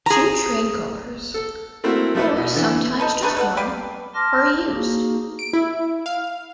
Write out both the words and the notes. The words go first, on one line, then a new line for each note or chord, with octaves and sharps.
Two train cars, or sometimes just one, are used.
G#4 A#5
A4
A3 A#3 C4 E4 F#4
F3 A3 D#4 E4 A4 B4
B2
D3 E3
D#4 A4 B4
A3 D4 D#4 B4
A4 B4 F5 F#5
G4 B4 D5 F5
A5 C6 D6 F6 A#6
A#3 D#4 F#4 G#4
D7
E4
F5